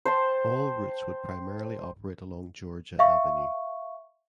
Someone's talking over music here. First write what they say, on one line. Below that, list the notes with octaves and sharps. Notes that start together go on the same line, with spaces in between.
All routes would primarily operate along Georgia Avenue.
C5 G5 A5 C6
E5 F5 C#6